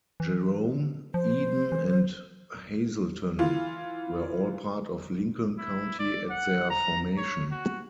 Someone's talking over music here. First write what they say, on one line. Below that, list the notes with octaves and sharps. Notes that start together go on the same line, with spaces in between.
Jerome, Eden, and Hazelton were all part of Lincoln County at their formation.
E3
F3 C5
E3
E3 F4
E4
D5
F#5
A#5
C#5
F#4